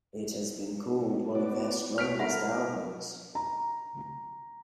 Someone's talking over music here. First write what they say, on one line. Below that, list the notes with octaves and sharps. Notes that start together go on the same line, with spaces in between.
It has been called one of their strongest albums.
B3 F#4 D5
C#5 F6 B6 D7
A4 A#4 E5 F#5 B5
A#5